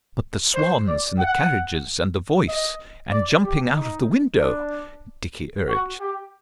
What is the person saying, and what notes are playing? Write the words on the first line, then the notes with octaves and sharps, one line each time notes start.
"But the swans and the carriages and the voice--and jumping out of the window..." Dickie urged.
C5
D5
F#5
D#5
D5
G4
D#4
D4
F#4
G4